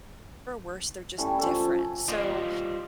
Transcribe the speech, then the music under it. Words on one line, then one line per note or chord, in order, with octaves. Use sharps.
or worse, they're just different. So
G3 A3 C#4 E4
F3 C#4 A4
G3 F4 C5 D5 D#5